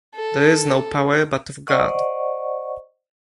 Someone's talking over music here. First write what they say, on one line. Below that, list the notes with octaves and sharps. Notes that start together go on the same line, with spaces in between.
There is no power but of God.
A4
C5 D5 D#5 F#5 C#6